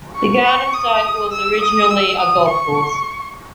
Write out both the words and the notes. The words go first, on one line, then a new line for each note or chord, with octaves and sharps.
The Garden site was originally a golf course.
C#6
C#6
D#6
E6
D#6
E6
D#6
C#6